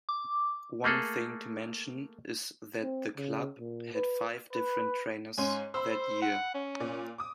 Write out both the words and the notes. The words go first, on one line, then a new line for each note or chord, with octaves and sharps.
One thing to mention is that the club had five different trainers that year.
D6
A3 A#3 G#4 A4
C4
C#3
A#2
B4
B4
G#2 C#4 G#5 C6
C5 B5 C6 E6
F#5
C#4
A#2 D5
D6 D#6